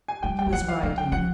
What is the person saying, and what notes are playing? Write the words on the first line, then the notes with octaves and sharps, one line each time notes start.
She was writing.
G#5
G3 G5
G5
F3
F#3 F#5
F5
F#3 F5
G5
F3 F#5